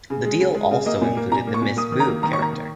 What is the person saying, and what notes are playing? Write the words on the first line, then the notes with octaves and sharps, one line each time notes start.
The deal also included the Miss Boo character.
C#3
G#3
C#3
G#3
C#3
A#3 D#5
A#2
A#3
A#2 A#5
A#3
C#6
A#2
A#3 D#6
D#3
A#5
A#3
D#3 A#5
C#6
A#3 A#5
D#3